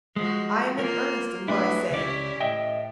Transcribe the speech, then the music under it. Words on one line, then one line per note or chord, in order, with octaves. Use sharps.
I am in earnest in what I say.
F3 G#3 F#4
A#3 F4 A#4
F#3 A3 D4 E4 G#4 B4
C#2 C#4 E4 G4 D5
A2 D#5 E5 G5